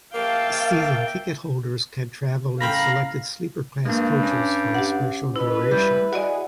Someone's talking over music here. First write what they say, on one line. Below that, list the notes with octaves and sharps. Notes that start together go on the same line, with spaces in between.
Season ticket holders can travel in selected sleeper class coaches for a specified duration.
A#3 E5 F5 G5 A5
A2 C#3 C4 F5 A#5 B5
G2 G#3 A#3
C#4 D6
G4 F#5
B2 E4 B4
G3 E4 G6
F#4 G#4 D5 D#5 F#5